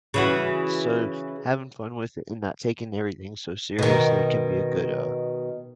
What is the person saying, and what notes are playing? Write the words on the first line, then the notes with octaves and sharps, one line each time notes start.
so having fun with it and not taking everything so seriously can be a good, uh,
C#3 E3 F#4
B2 D#3